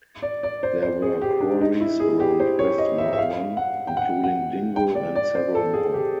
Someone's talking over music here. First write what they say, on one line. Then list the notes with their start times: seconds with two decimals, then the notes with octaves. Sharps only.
There were quarries around West Malvern including Dingle and several more.
0.22 D5
0.43 D5
0.63 C5
0.82 C5
1.02 G#4
1.21 G4
1.40 D4
1.61 D#4
1.81 E4
2.00 G#4
2.20 G4
2.40 C5
2.59 C#5
2.78 D#5
2.98 E5
3.13 E5
3.18 F5
3.57 F#5
3.87 G5
3.97 F#5
4.24 F#5
4.76 G5
4.95 D5
5.15 D5
5.35 C5
5.55 A4
5.73 G#4
5.94 G4